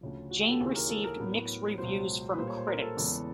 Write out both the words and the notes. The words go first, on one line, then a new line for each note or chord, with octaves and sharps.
Jane received mixed reviews from critics.
D2 C#3 F3
F#4
G4
A4
D#2 C#3 E3 G#4
A#4
A4
A#4
A2 F#3 B3
C#2 B2 F#3 C5
B4
A#2 G3 A#3 C5
C#5
C5
A#4
A4
E2 C#3 E3 G#3 B3